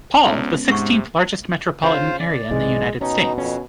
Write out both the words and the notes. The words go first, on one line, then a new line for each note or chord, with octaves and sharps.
Paul, the sixteenth largest metropolitan area in the United States.
D2 G#3 B3 C#4 D#4 E4
G#2 C3 F#5 C#6
C#3 F4 C5
D5
B1 G#2 E3 G#3
B2 C#4 D#4
F2 C#4